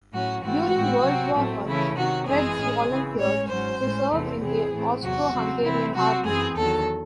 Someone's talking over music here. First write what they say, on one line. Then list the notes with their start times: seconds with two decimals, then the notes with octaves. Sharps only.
During World War One Krebs volunteered to serve in the Austro-Hungarian Army.
0.12 A2 F#3 C#4 F#4
0.43 G#2 E3 A3 C4 F#4
0.74 A2 G#3 C4
1.04 C3 F#3 C4
1.35 A2 F#3 A3 C4
1.65 C#3 E3 A3 C#4 E4
1.96 C3 D#3 F#3 F#4
2.27 F#2 E3 G#3 C4 G#4
2.57 A2 G#3 C#4
2.88 C#3 E3 C4
3.18 A2 G#3 C#4 C#5
3.49 G#2 F#3 C#4 C5
3.79 A2 G#3 C#4
4.10 E2 C3 E3 A3 C4
4.41 C3 E3 C4 G#4
4.71 A2 E3 A3 C4
5.02 E2 C3 F#3 F#4
5.33 C#3 F#3 C4
5.64 C3 E3 C4 E4
5.94 C3 F#3 C4 F#4
6.25 F#2 E3 C4 G#4
6.56 E2 D#3 F#3 A4